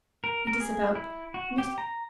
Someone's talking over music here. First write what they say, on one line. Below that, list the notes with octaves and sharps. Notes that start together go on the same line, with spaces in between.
It is about--Mr.
A#4
A#4
G#4
E4
F#4
G4
A#5